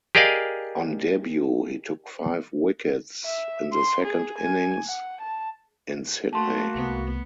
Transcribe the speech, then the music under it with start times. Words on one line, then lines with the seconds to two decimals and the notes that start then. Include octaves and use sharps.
On debut, he took five wickets in the second innings in Sydney.
0.15 G4 G#4 A#4 D5 D#5 F5
3.25 E5
3.73 C6
4.04 G#4
4.38 G#5
4.86 F#5
5.21 A5
6.33 A3 A#3 F#4 A5 C6
6.74 C2 B3